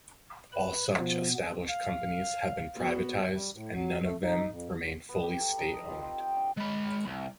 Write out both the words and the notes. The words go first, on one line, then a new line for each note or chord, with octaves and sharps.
All such established companies have been privatised and none of them remain fully state-owned.
B4 B5
B2 F3 B3
F5
B3 F#4
G3
A2
F#3
A3
D#4
F2
B3
G4
A4
D#4
D#5
F4
C4
G5
D4
G#3 B5
C2